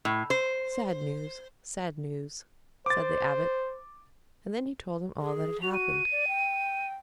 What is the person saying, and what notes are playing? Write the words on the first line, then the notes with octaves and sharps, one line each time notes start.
"Sad news, sad news," said the abbot; and then he told him all that had happened.
A2
C5
C5 D6 A6
G#4
F#4 F7
D#7
D5
G5